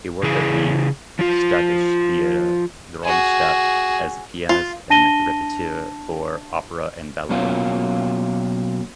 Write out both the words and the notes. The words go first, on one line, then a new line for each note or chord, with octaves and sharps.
He worked at the Staatstheater Darmstadt as pianist and repetiteur for opera and ballet.
C#3 E3 G#4
F3 F4
F#4 G#4
F4
D4 A5 A#6 D#7 G7
B2 F#3 A#3 C#4 F4